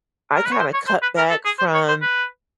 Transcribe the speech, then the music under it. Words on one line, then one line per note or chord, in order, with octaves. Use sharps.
I kinda cut back from
A#4
B4
C#5
C5
C#5
C5
B4
A#4
A4
G#4
C5
C#5
C5
B4